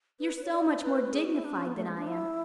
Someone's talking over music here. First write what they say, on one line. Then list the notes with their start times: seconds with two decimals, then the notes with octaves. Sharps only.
You're so much more dignified than I am.
0.20 B4
0.36 B4
0.44 C#5
0.51 D5
0.67 D5
0.83 B4
1.14 G#4
1.24 F#4
1.35 E4
1.45 D4
1.56 C#4
1.66 B3
1.76 A3
1.87 G#3
1.97 D4
2.08 E4